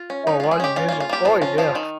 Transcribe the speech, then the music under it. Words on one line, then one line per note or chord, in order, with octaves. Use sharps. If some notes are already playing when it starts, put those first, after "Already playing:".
Oh, washing dishes. Oh, yeah.
Already playing: F4
C#4
C#4 D#4
G#3 F4
G#4
C#4 G4
C#4 F4
F4
A#3
F4
A#3 G4
F3 F4
C#4 F4
F3 F4
D#3